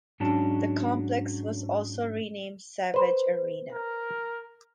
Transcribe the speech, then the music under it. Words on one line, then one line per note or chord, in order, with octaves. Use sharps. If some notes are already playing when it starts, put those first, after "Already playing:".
The complex was also renamed Savage Arena.
G#2 F#3 C#4 D4 A5
B4 C5
A#4